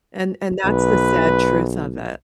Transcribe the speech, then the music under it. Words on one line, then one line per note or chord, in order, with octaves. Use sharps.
and and that's the sad truth of it.
B1 B4